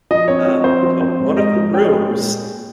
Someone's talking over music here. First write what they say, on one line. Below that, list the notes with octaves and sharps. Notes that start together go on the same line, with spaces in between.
um, but one of the rooms
F3 D#5
C4 C#5
F3
C4 C5
F3
C4 C5
G#2
G#2 D#5
F3
C#4 G5
G#3
A#2